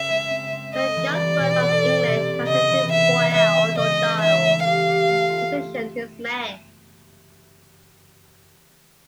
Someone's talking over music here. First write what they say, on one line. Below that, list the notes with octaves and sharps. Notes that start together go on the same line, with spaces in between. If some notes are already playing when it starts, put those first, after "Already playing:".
When he got word of the English passing through Boyle, O'Donnell positioned his men.
Already playing: C#3 E5
G#3
C4
C4
A3 D#5
E3
G3 D5
B2
A4
C4
C3
A#3
C#3 D#5
E3
B3 E5
B3
G#3 E5
G#3
C#3 D#5
E3
D#4 E5
A3
G4 F5
G4
A3
F4